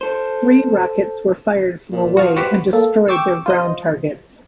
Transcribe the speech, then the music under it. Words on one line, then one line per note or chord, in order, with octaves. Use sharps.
Three rockets were fired from away and destroyed their ground targets.
A4 C5
A#2
F3 F#4 F5
F#4 G4 B4 C5
A#3 A4
G5 C#6 D6 E6
F4 C5 D#5